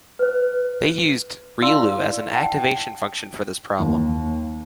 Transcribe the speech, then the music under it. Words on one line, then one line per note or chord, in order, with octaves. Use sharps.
They used relu as an activation function for this problem.
B4 C5
D#4 E4 D5 F5 C6 E6
F#5 G5 A5
D#2